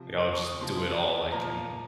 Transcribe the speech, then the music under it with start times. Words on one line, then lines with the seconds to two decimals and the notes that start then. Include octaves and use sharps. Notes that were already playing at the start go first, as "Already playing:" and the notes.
like, I would just do it all like, and
Already playing: C3 F3
0.34 C#6
0.43 D#6
0.52 C#6
0.60 C3 F3 C6
1.32 A#2 F3 A#5